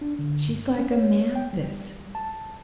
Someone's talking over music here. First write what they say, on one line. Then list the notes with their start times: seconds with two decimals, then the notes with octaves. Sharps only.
She's like Amanthis!
0.01 D4
0.19 D3
0.48 G2
0.78 C#4
0.92 C#5
1.35 G5
1.53 G3
2.15 A5